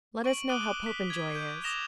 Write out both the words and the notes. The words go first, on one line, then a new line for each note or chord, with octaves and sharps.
"Let us know how Popenjoy is."
C#6 D7 F#7
D6 D#6 F#6 D7 D#7 G7
B6
G#6
G6 D7
D6 D#6 A#6 E7 F7 G7